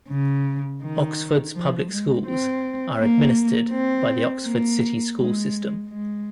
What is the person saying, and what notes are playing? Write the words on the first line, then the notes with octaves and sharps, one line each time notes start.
Oxford's public schools are administered by the Oxford City School System.
C#3
D#3
F3
G#3
C4
A#3
C4
A#3
G#3
G#3